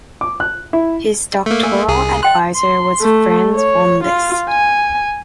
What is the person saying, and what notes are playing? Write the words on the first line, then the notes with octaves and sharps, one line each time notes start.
His doctoral advisor was Franz von Liszt.
D6
F#6
E4
A3 A#3
A#4 G#5
C2 G#4
D#5 G5 C6 F#6
C6
A3
C#5
F4
G#5